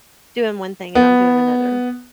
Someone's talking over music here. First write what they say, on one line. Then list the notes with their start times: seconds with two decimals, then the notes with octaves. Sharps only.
doing one thing and I'm doing another.
0.95 B3